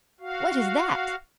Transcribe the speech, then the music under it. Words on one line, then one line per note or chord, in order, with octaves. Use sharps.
"What is that?"
F#4 F5